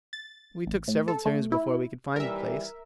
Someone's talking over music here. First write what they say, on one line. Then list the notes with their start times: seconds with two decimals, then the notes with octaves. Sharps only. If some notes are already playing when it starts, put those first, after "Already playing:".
We took several turns before we could find the place.
0.13 A6
0.67 A1
0.88 A2
1.08 A4
1.25 A3
1.52 E4
2.16 D#2 E3 G3 A#4 E5